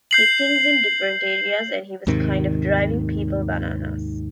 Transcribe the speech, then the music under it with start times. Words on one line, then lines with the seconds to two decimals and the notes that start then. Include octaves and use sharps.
He thinks in different areas and he was kind of driving people bananas.
0.11 G6 C7 F#7
2.07 D#2 G#2 C3 D#3